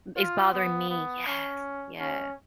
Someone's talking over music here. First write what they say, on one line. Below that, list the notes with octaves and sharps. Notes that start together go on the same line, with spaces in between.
M "It's bothering me." Yes, yeah.
F4
B3
B3
C#4
C#4